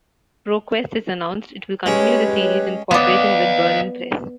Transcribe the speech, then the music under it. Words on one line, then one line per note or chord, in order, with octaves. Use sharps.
ProQuest has announced it will continue the series, in co-operation with Bernan Press.
G#3 C#4 G4 B4 C#5
B3 D5 D#5 F5